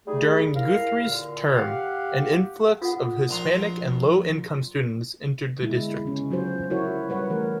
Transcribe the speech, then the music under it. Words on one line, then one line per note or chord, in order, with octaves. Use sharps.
During Guthrie's term, an influx of Hispanic and low income students entered the district.
G3 A3 D#4 G#4
D#2 E4 A#4 F5
A#2 D3
G4 F5 F#5
F4 A4 F#5
A#1 A#5 C6
D3 G#3 B3 E4
C#3 B3 C#4
F#3 F4 F#4 C5
E4 F#4 A#4 C#5
G3 B4 C#5 F#5
E3 A3 A#4